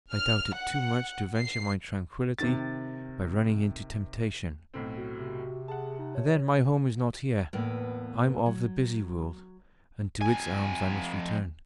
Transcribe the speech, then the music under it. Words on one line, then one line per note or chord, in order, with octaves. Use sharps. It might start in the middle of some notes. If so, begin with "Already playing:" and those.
I doubt it too much to venture my tranquillity by running into temptation: and then my home is not here. I'm of the busy world, and to its arms I must return.
F6
F#5
C7
C3 D#3 A6
B1 A2 C4
F#4
C3
G#4 F#5 A5
D#4
C#5
E2 A2 A#3 B3
F#3
F2 G#5